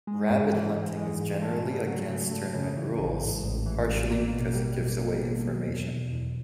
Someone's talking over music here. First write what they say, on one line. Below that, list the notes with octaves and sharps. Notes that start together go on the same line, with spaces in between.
Rabbit hunting is generally against tournament rules, partially because it gives away information.
G#3
G#2
E3
G#2
G#3
G#2
A3
C#3
F#3
C#3
A3
C#3
E3
A1
G#2
A1
E3
A1
A#3
B2
G3
B2
A#3
B2
F#3
E2
B2
E2